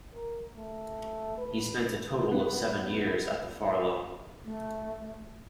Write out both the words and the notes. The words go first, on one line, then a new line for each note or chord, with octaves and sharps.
He spent a total of seven years at the Farlow.
A#4
A3
B4
B3
A3